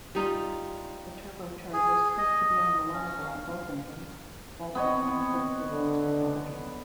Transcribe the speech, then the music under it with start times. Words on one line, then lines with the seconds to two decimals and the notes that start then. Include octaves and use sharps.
The turbochargers proved to be unreliable on both engines, while performance improvements were marginal.
0.15 G3 D#4 F4
1.73 G#4
2.18 D#5
2.94 C#4
3.25 F5
4.75 B3 C4 C#5 D#5
5.69 D3